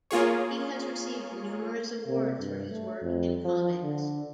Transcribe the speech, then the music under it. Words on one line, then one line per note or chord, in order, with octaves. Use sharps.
He has received numerous awards for his work in comics.
A#3 F4 G#4 C#5
C3
G2
A3
F2
F3
D3